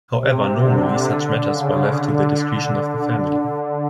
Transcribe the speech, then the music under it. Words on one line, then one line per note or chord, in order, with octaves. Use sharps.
However, normally such matters were left to the discretion of the family.
C3
D3
C#3
D3